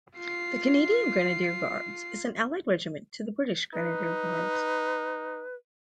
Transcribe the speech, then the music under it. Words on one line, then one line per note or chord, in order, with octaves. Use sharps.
The Canadian Grenadier Guards is an allied regiment to the British Grenadier Guards.
F4 C7
D#4 B4